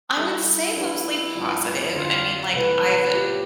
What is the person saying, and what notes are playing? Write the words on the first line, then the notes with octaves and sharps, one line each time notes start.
I would say mostly positive. I mean, like, I've
G3 D4 E4 A4 E5
F3 B3 D4 G4
G2 F3 B3
F2 D3 A3 D4 F4
C2 C3 E3 A3 B4
A2 F3 B3 F4 G4